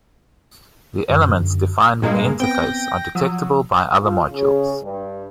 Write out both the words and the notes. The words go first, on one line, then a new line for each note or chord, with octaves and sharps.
The elements defined in the interface are detectable by other modules.
F#2 D3 F#4
G2 A#2 G#3 A#3
B3 C4 G5 A#6
F3 F#3 D#6 E6
F4
C#3
G2